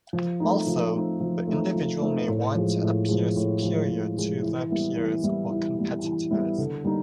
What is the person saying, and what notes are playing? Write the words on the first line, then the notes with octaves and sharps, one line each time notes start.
Also, the individual may want to appear superior to their peers or competitors.
F3
A3 C4 D#4
F3
A3 C4 D#4
F3
A3 C4 D#4
F3
A3 C4 D#4
A2
F3 G#3
A2
F3 G#3
A2
F3 G#3
A2
F3 G#3
E3
G3 B3 E4
E3
G3 B3 E4
E3
G3 B3 E4
E3
G3 B3 E4
D3
G3 B3 D#4